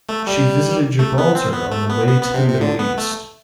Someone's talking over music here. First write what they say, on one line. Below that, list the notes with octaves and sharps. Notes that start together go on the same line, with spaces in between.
She visited Gibraltar on the way to the Middle East.
A3
G3
A3
B3
C4
B3
A3
B3
B3
B3
C3
C3
D3
B3
A3